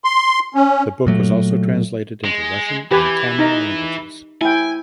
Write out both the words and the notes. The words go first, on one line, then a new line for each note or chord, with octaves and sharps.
The book was also translated into Russian and Tamil languages.
C6
C#4
A#2 F#3 A3
G#3
E3 G4 B4 G#5
D#4 A#5
E4 G5 G#5